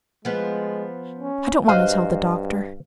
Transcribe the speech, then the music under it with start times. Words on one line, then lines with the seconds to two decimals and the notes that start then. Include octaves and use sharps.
I don't want to tell the Doctor.
0.25 F3 G#3 B3
1.18 C#4
1.69 G2 F#4 C5 D#5 F5